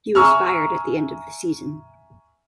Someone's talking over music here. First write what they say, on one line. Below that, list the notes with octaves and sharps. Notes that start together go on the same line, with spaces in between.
He was fired at the end of the season.
E5 G#5 A#5 C#6 E6 F6